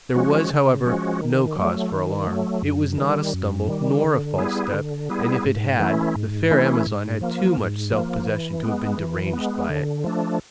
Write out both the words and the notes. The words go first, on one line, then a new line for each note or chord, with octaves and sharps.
There was, however, no cause for alarm; it was not a stumble, nor a false step; and, if it had, the fair Amazon had too much self-possession to have been deranged by it.
F3 G#3 C#4 F#4
C#3
F3 G#3 C#4 F#4
D#3
F#3 A3
D#3
F#3 A3
F#2
D#3 G3
F#2
D#3 G3
D3
G3 B3 E4 G#4
D3
G3 B3 E4 G#4
G#2
E3 A3 C#4 E4
G#2
E3 A3 C#4 E4
G#2
F3 A#3
G#2
F3 A#3
E3
G#3 B3
E3
G#3 B3
D3
F3 A3 D4